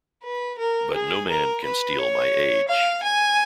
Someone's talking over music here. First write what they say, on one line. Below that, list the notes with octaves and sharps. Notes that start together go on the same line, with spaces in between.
But no man can steal my age.
B4
A#4
G#4
A#4
B4
C#5
F5
G#5